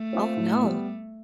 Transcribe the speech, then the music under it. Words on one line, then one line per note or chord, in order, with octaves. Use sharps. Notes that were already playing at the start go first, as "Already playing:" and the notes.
Oh, no.
Already playing: A3
C4 F4
A2
G3 B3